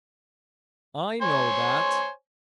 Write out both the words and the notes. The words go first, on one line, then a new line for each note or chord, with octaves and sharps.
"I know that."
C5 C#5 G#5